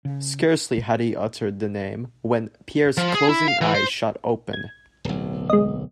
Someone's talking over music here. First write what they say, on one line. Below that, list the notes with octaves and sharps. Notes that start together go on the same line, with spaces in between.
Scarcely had he uttered the name when Pierre's closing eyes shot open.
C#3
F3
G#4
E4
F5
E3
C5
G#6
D1 B1
G#3 D#5